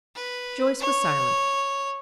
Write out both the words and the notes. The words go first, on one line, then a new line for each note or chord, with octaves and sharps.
Joyce was silent.
B4
C#5